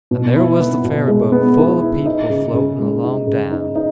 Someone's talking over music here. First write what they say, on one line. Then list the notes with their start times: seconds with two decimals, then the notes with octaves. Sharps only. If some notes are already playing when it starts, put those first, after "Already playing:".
And there was the ferryboat full of people floating along down.
0.11 B2
0.36 E4
0.60 B3
0.84 B2
1.08 G#3
1.32 B3
1.57 E4
1.82 E4
2.06 D#4
2.30 C#3
2.54 C#3
2.78 G#3
3.03 D#4
3.27 C#3
3.51 D#4
3.75 D#4